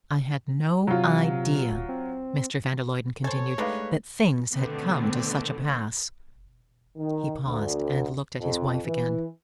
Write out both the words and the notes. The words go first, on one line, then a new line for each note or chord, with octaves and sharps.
"I had no idea," Mr. van der Luyden continued, "that things had come to such a pass." He paused, and looked at his wife again.
C3 F#3 F4
D1
C4
A4 C5 C#5 G#5
G#3 A3 D4 D#4 G4 B4 F5
B2 D3 D#3 A3 B3 C4
D#3
D2
F2
E3